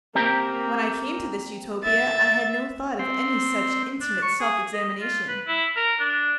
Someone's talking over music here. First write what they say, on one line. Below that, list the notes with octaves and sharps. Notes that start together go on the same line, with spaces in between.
When I came to this Utopia I had no thought of any such intimate self-examination.
A#3 C4 G4 A#4
E5 A6
C4
D4
C#6
G#4
D#5
F4
B4
E4
A#4
D4